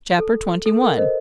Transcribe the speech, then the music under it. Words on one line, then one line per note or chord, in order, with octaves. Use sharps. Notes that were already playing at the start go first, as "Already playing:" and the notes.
Chap. XXI.
A4
A4
A#4
C5 D#5